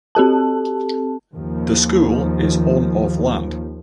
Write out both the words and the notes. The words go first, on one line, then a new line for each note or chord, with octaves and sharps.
The school is on of land.
C4 G4 A4 A5
D#2 F3